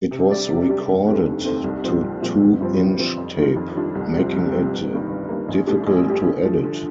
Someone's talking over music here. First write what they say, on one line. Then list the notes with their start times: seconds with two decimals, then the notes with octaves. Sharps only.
It was recorded to two-inch tape, making it difficult to edit.
0.11 C3
0.30 G3 D4 G4 D5
0.49 C3
0.68 G3 D4 G4 D5
0.88 F1
1.06 D#2 D3 A3 C4
1.26 F1
1.45 D#2 D3 A3 C4
1.64 C2
1.84 A#2 F3 C4
2.03 C2
2.22 A#2 F3 C4
2.42 G1
2.61 G2 F3 C4
2.79 G1
2.99 G2 F3 C4
3.17 F2
3.37 D#3 G3 D4 F4
3.56 F2
3.75 D#3 G3 D4 F4
3.95 C2
4.14 C3 F3 C4
4.33 C2
4.52 C3 F3 C4
4.72 G1
4.90 G2 D#3 A#3
5.10 G1
5.29 G2 D#3 A#3
5.49 A#1
5.67 A2 G3 D4 G4
5.87 A#1
6.06 A2 G3 D4 G4
6.25 D3
6.44 F3 A3
6.64 D3